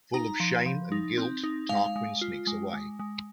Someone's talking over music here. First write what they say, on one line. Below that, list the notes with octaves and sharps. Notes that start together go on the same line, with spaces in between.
Full of shame and guilt, Tarquin sneaks away.
D#4 A#5
F3
F3
D#4
C4
D#4
G#3 F5
G#3
F4
G#3
G#3
G#3